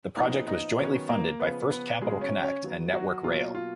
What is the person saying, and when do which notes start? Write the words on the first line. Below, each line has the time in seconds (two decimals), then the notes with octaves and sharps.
The project was jointly funded by First Capital Connect and Network Rail.
0.17 A#2 F3 B3 D#4 D#5
0.48 D#4 D#5
0.79 D#3 F#3 B3 C#4 C#5
1.09 A#3 A#4
1.40 C#3 F3 B3 B4
1.71 B3 B4
2.01 C#3 F#3 G#3 B3 G#4
2.21 C#4 C#5
2.42 C#4 C#5
2.63 D#3 F#3 B3
2.93 F#3 F#4
3.24 B2 F#3 A#3 F4
3.55 F4